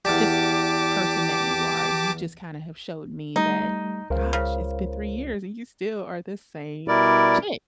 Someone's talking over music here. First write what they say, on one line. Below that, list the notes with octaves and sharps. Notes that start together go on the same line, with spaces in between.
just the person that you are, you just kinda have showed me that, "Gosh, it's been three years, and you still are the same chick."
E2 G4 D5 A5 D6
G3 A3 D#4
C#2 A#4 C5 F5
C#3
B2 G3 E4 A#4 D5